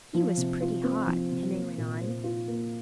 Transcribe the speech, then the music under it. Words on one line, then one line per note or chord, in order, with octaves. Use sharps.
"He was pretty hot," Henry went on.
F3
C3
F4
C4
F3
C3
A#3
A#2
C5
F4
A#3